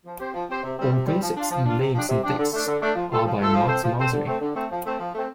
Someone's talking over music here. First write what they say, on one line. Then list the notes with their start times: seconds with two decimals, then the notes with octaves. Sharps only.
All concepts, names and texts are by Max Masri.
0.05 F3
0.20 C4 G4 C5
0.34 F3
0.49 C4 G4 C5
0.62 C3
0.77 G3 C4
0.92 C3
1.07 G3 C4
1.21 F3
1.35 D4 F4
1.50 F3
1.64 D4 F4
1.78 C3
1.94 F3 D4 G4
2.08 C3
2.22 F3 D4 G4
2.37 D3
2.52 A3 D4
2.66 D3
2.81 A3 D4
2.95 F3
3.10 A3 F4 A4
3.24 F3
3.39 A3 F4 A4
3.53 F3
3.68 C4 A4 C5
3.83 F3
3.97 C4 A4 C5
4.11 D3
4.26 A3 C4
4.40 D3
4.54 A3 C4
4.70 F3
4.84 A3 C4
4.98 F3
5.13 A3 C4